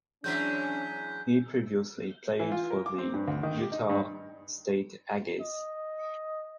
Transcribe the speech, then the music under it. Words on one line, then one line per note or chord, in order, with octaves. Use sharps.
He previously played for the Utah State Aggies.
E3 F#3 G#3 C#4 D4 G6 B6
E3
F4
A#4
D6
C4
G2
D2
D#3
G4
D#4
G2
D#5